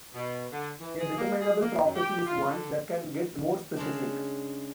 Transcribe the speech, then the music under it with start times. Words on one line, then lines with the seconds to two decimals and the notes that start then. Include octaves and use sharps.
A determinable property is one that can get more specific.
0.13 B2
0.51 D3
0.80 E3
0.99 G#4
1.16 A#3
1.39 G#4
1.60 A#3
1.83 F#2
1.95 G4
2.26 F4
2.50 D3
3.76 C#3 G#3 D4